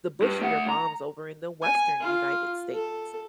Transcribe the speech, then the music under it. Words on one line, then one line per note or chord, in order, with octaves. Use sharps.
the bushier palms over in the Western United States.
G2
A3 F#5
A#5
G#5
F4
A4